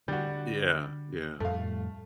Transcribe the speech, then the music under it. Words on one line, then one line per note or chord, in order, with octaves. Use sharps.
Yeah, yeah.
D3 G3 F#4
F2 A2 G3 A3 F5